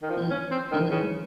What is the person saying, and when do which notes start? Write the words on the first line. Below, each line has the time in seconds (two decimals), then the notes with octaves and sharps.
Mm Mhm.
0.02 D#3
0.10 F3
0.30 C#4
0.51 C4
0.72 D#3
0.91 C#3